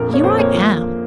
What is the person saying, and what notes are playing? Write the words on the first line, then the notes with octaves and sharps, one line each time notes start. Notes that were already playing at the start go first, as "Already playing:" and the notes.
Here I am.'
Already playing: A#1 F2 A#4
A#3 C#5
F2 C5
A#3 C#5
F3